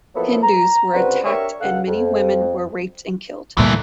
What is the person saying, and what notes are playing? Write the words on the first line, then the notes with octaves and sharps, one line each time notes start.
Hindus were attacked and many women were raped and killed.
F3 F#3 A#3 B3 E4 A4
A#5
C#2 D3 G3 C4 F#4 B4
D4 G4 A#4 C#5 E5 C#6
C#2 A4 F5 F#5
F2
D2 A#2 E3 G3 A3